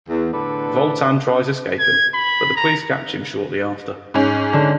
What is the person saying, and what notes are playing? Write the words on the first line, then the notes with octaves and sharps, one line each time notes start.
Voltan tries escaping, but the police catch him shortly after.
E2
A2 D3 A4 B4 D5
G#6
B5
A#5
G#2 C#4
D3